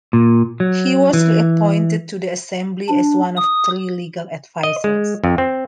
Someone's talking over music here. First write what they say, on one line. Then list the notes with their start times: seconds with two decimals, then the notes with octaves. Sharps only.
He was reappointed to the Assembly as one of three Legal Advisors.
0.13 A#2
0.60 F#3
1.13 E3
2.89 D4
3.37 D#6
4.63 D#5
4.84 G#3
5.24 F2
5.38 C4